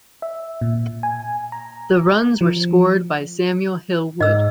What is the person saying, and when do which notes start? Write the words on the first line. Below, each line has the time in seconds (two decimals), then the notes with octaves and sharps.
The runs were scored by Samuel Hill Wood.
0.22 E5
0.61 A#2
1.03 G#5
1.52 A#5
2.41 F3
4.21 G#2 D#5 E6